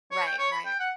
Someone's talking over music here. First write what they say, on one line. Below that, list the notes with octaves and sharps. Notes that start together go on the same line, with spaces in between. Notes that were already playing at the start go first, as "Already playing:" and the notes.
Right, right.
C#5
G5
C#5
B5
G5
F#5